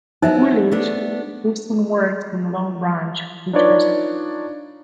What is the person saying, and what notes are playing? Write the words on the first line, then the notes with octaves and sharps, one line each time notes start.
Woolwich lives and works in Long Branch, New Jersey.
F#3 B3 D#4 E4 C5 E5
A3 B3 D4
D4 D#4 F4 B4 C#5 D5